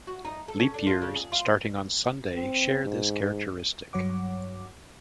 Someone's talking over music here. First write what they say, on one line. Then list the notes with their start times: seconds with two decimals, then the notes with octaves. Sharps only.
Leap years starting on Sunday share this characteristic.
0.07 F#4
0.25 D#4
0.48 A4
0.60 C#4
0.74 D4
0.87 F4
1.02 C#3
1.16 G#4
1.32 F4
2.35 C4
2.84 G#2
3.93 G2 F#3 C#5 F#5 D6